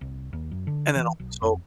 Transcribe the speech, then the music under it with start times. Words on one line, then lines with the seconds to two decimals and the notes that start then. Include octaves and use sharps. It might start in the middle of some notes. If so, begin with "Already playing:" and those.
and then also
0.01 C2
0.33 D#2
0.51 F#2
0.67 D3
0.96 E3
1.20 B1
1.42 F2